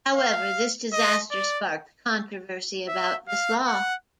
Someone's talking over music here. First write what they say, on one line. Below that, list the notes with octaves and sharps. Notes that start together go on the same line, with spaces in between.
However, this disaster sparked controversy about this law.
F5
D#5
D5
E5
F5
F#5